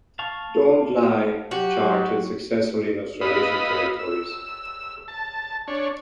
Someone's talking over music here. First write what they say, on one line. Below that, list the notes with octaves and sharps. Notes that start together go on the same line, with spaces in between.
"Don't Lie" charted successfully in Australasian territories.
F5 A5 C#6
F#3 F#4 G4
B4 D#5 F5 B5 D#6 E6
E6
A5
D4 C#5